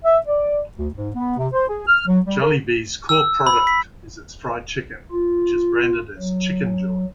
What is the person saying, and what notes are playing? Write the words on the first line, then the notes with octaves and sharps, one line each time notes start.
Jollibee's core product is its fried chicken, which is branded as Chickenjoy.
E5
D5
D2
G#2
B3
C3
C5
G#4
F6
F#3
G3
A#4
E6
B5
B6
F4
F#3